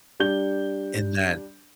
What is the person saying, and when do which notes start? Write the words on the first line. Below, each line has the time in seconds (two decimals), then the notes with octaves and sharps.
and that,
0.20 G3 D4 G6 G7